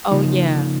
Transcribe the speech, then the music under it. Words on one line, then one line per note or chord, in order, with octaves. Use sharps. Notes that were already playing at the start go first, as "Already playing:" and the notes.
Oh, yeah,
C#3 F3 A#3 D#4